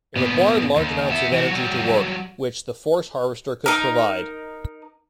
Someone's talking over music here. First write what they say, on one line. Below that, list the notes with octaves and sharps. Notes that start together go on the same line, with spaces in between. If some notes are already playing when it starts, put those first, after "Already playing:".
It required large amounts of energy to work, which the Force Harvester could provide.
A#2 B3
D#2
B3 E5
E3 F#4
F#3 G3
D#4 A#4